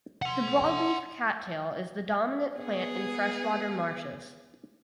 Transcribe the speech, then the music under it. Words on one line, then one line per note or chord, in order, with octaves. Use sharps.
The broadleaf cattail is the dominant plant in freshwater marshes.
F#5 C6
B3 G#4